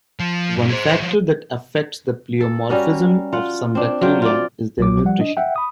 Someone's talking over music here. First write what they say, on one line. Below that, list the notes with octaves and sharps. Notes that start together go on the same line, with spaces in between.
One factor that affects the pleomorphism of some Bacteria is their nutrition.
F3
G2 A#2
G#4 C5
F3 F#4
A4
G3 C#4 F#4 A#4
F4 F#5
C4 D4
F#3 F4 G5
F4 D5
B1 F#3 D6
F3 G3 F#5
D4 D#5
E5 F#5 G5
B5 D#6